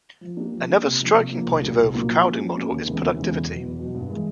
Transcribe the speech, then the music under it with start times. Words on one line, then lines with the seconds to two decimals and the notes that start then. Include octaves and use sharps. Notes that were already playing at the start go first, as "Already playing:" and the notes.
Another striking point of overcrowding model is productivity.
0.21 F3
0.37 A#3 D4 G4
0.53 F3
0.68 A#3 D4 G4
0.84 C3
1.00 F3 A#3 D4
1.14 C3
1.30 F3 A#3 D4
1.45 C2
1.61 A#2 F#3 A#3 D4
1.77 C2
1.92 A#2 F#3 A#3 D4
2.08 F3
2.23 A#3 C#4 F#4
2.38 F3
2.54 A#3 C#4 F#4
2.70 D#2
2.86 C#3 E3 G#3 B3
3.00 D#2
3.16 C#3 E3 G#3 B3
3.31 E2
3.48 B2 F#3
3.62 E2
3.79 B2 F#3
3.94 G2
4.10 E3 G#3